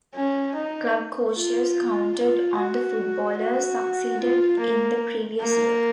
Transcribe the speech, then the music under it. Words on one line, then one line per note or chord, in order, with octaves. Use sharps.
Club coaches counted on the footballers succeeded in the previous year.
C#4
D#4
F4
F4
F#4
F#4
F4
A#3
A#3